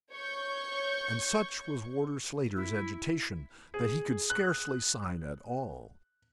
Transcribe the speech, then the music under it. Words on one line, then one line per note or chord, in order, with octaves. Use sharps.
And such was Warder Slater's agitation, that he could scarcely sign at all.
C#5 C#6 G6
E4
G#4
F#6